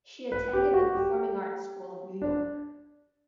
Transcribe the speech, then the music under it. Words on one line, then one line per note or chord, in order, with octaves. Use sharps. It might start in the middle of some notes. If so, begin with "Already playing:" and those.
She attended the Performing Arts School Of New York.
B4
G4
F#4
G4
D4